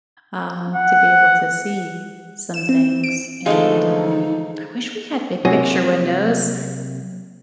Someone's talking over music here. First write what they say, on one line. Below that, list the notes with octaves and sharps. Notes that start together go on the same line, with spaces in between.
um, to be able to see some things, and, um, I wish we had big picture windows
F#5
E7
C4
D7
D3 E3 F3 G#3 A3 D#4 D#5 F5
C3 F#3 A#3 F#4 D#5 G#5